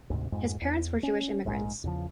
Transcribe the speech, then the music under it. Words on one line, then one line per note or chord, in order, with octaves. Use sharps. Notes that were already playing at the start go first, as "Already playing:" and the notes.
His parents were Jewish immigrants.
D2 G#2 C3
F2 G#2 G#3
E2
C#4
A#1 G#2 D3 G#3
E2 C#3 F3